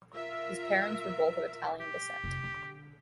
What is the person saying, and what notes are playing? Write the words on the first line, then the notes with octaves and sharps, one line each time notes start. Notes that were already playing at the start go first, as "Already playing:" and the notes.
His parents were both of Italian descent.
F4 A#4 E5
G4
F1
D3